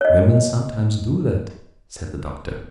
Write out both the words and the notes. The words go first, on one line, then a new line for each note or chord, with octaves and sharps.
"Women sometimes do that," said the Doctor.
C#5 D#5